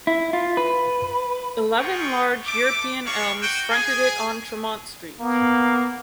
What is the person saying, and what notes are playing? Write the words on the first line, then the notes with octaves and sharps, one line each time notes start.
Eleven large European elms fronted it on Tremont Street.
E4
F4
B4
D#4 F4 G4 G#4 G5 C#6
A3 D6
B3 D4 F#4 C#5 F5 C#6
F#4 G5
G#4 G#5
A#3 B3